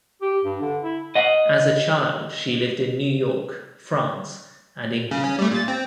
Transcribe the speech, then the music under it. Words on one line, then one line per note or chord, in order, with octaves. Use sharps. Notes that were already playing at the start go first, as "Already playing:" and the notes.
As a child, she lived in New York, France, and England.
G4
G2
D3
E4
D#5 F#5
C#3
C#4
G3 A3
A#2 A6
C4